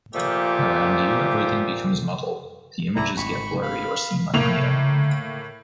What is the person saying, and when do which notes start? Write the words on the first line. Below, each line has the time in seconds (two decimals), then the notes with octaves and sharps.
Around you, everything becomes muddled, the images get blurry or seem unreal.
0.14 A#2 F3 A3 G4
2.96 C2 E4 D5 A#5
3.17 G#1 B5 C#6
3.62 F5 B5
4.34 A2 A#3 F7